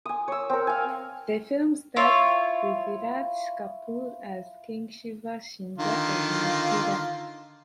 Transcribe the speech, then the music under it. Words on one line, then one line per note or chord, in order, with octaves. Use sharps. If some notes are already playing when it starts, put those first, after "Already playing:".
The film starred Prithviraj Kapoor as King Shiva Singha of Mithila.
G#5 D#6
C#5 E6
C4 A#4
F5 G#5
E4 F4 C#5
D3 D#3 F4